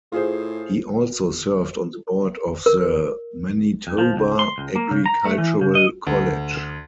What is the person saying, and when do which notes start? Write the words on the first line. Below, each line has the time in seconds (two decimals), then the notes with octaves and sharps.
He also served on the board of the Manitoba Agricultural College.
0.12 A2 F4 G#4 C5
2.66 A#4
3.87 F2
3.98 F3
4.17 C#2
4.39 C6
4.58 C#2
4.76 A#3
4.91 C#3
5.06 A#5
5.25 A3
5.38 E3
5.61 C#3
5.75 D#5
6.07 D2